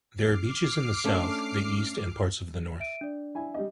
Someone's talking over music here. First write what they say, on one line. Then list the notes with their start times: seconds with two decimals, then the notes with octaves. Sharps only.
There are beaches in the south, the east and parts of the north.
0.15 D6 F6 C7
1.04 A3 C#4 D4
2.80 E5 D7 D#7
3.01 D4 D5
3.35 E4 G#5
3.54 G3 D#5